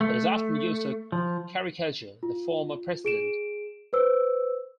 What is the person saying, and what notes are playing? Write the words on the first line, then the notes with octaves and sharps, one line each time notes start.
It is often used to caricature the former president.
A3
F3
F4
G#4 D7 E7
B4 C5 E6